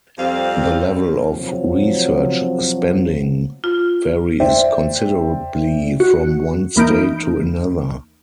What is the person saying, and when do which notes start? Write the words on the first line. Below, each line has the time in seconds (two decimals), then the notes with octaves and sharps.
The level of research spending varies considerably from one state to another.
0.18 F2 F3 G3 C4 F5
1.26 C3 F3 F#3
3.64 F4
4.40 C5 D5 E5 G5
6.00 F#4
6.76 D#2 E3 A#3 D#4 G6 D7